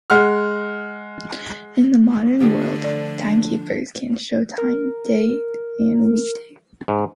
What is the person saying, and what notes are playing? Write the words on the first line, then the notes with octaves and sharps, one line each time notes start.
In the modern world, timekeepers can show time, date and weekday.
G#3 F#5 F6
D3 A3 B3 D4 F4 G4
F3 D5
A#4
G#2